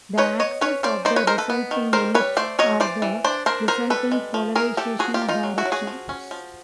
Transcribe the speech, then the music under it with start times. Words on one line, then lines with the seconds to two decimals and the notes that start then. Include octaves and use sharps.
The axes of the resulting ellipse are the resulting polarization directions.
0.17 D#4 B4 C#5
0.40 B3 C#5 D#5
0.61 C#4 B4 C#5
0.83 C#4 C5 D5
1.05 D#4 C5 D5
1.16 B4 C#5
1.27 D#4 A#4 C5
1.38 A4 B4
1.50 B3
1.71 D#3
1.93 G3 A#4 C5
2.14 G3 B4 C#5
2.37 A3 C5 D5
2.59 F#3 C#5 D#5
2.80 E3 C5 D5
3.02 E3
3.24 D4 C5 D5
3.46 D4 A#4 C5
3.68 B3 A#4 C5
3.90 G3 A4 B4
4.12 G#3
4.34 F3
4.55 E3 G#4 A#4
4.77 E3 G4 A4
4.99 F3 F#4 G#4
5.14 F4 G4
5.22 A#3
5.29 D#4 F4
5.43 F#3
5.58 E4 F#4
5.65 F#3
5.72 F#4 G#4
5.87 F3
6.09 C#4
6.31 F3